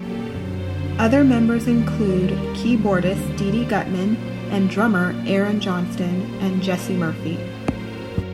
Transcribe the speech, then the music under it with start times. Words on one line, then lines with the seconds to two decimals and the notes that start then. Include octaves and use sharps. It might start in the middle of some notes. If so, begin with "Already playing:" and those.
Other members include keyboardist Didi Gutman and drummer Aaron Johnston and Jesse Murphy.
Already playing: A#2 F#3 G4 A4
0.24 F#2 D3 F#3 C5
0.80 D5
1.35 D#2 D#3 G3
1.91 A#4
2.46 D#2 D3 G3 C5
3.02 D5
3.57 A#2 F#3 C5
4.13 D5
4.68 A#2 F#3 D5
5.25 D5
5.79 A#2 G3 C5
6.36 A#4
6.90 A2 F#3 C5
7.47 A#4
8.02 F#2 F#3